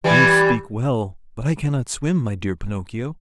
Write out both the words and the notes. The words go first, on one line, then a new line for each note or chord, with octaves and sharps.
"You speak well, but I cannot swim, my dear Pinocchio."
E3 G3